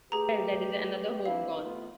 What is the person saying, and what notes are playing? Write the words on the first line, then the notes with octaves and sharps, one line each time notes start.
Well, that is another hope gone.
A3 G4 G#4 B4 A#5
C4 D4 E4 F5
A3 B3 F4